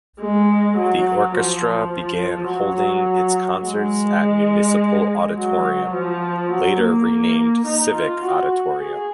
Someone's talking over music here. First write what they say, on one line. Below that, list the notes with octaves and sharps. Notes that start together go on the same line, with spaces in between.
The orchestra began holding its concerts at Municipal Auditorium, later renamed Civic Auditorium.
G#3
F#3
F3
F3
F#3
G#3
F#3
F3
F#3
A#3
D#4
F4
F#4
G#4